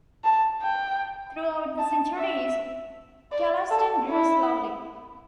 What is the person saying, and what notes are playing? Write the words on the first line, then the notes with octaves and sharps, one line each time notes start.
Throughout the centuries, Chellaston grew slowly.
A5
G5
A5
E5
D5
A4
E4